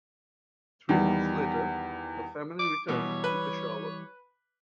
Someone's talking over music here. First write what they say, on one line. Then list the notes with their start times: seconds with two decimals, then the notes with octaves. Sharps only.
Three months later, the family returned to Peshawar.
0.89 E2 D#3 G3
2.59 D6
2.88 B2 E3 G3 C#5
3.24 B4